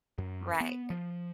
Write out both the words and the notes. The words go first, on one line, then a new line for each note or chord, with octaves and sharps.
Right, i
F#2
B3
F3